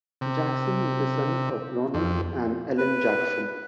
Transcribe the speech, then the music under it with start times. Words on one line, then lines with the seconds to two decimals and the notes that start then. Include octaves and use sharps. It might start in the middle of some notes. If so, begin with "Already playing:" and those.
Jackson is the son of Ronald and Ellen Jackson.
0.21 C3
1.94 F2
2.78 B4